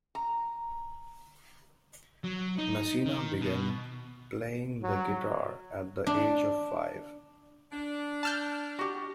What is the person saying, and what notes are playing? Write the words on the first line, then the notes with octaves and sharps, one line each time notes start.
Messina began playing the guitar at the age of five.
A#5
F#3
D#4
D#3
B2
F#3
D4
D4
A5 F6 G6
F#4 G4